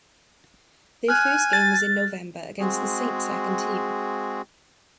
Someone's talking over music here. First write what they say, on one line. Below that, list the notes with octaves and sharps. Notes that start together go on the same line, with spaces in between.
Their first game was in November against the Saints second team.
G#5 F6 F#6
A6
G#3 C4 F#4 G#4